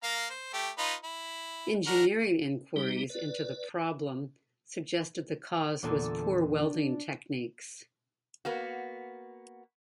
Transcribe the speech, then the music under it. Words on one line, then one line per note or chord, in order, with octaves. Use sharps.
Engineering inquiries into the problem suggested the cause was poor welding techniques.
A#3 F5 A#5
C5
A3 G4
D#4 F4 B4
E4
D4 F#4 A#4
G3 D#4 G4
B4 D5
E2 A#2 D3 A4
D4
A#3 B3 F#4